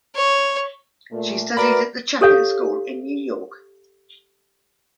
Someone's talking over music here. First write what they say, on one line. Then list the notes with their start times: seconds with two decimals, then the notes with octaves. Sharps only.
She studied at the Chapin School in New York.
0.15 C#5
1.11 A#2 A3
1.57 A3 F#4 A#4 B4 D5 B5
2.21 G4 A4 C#5 F5